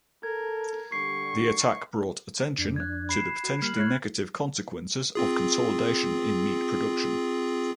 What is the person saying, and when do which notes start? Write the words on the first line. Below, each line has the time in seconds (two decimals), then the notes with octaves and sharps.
The attack brought attention to the potentially negative consequences of consolidation in meat production.
0.23 A4 A#4 G#6
0.92 D3 G3 C#6 C7
2.58 F2 D4
2.76 F#6 G#6
3.09 B5 C7 E7
3.43 F#4
3.62 G3 A#3 F6 F#7
3.77 E4 C#5 F#6 G#6
5.15 C4 F4 G#4